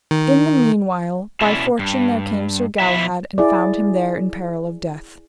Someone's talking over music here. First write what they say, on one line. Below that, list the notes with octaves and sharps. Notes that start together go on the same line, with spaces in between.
In the meanwhile by fortune there came Sir Galahad and found him there in peril of death.
D#3
B2 C#4 E4 D5 E5
G2
B2 D#3 F3 E4 E5
E4 G#4 D5